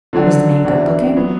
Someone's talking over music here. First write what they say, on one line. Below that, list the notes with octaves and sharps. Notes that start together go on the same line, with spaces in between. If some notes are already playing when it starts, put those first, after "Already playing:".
"Was the man good-looking?"
D3 F#3 D4 F#4
E2 E3 D4 F#4
F#3 B3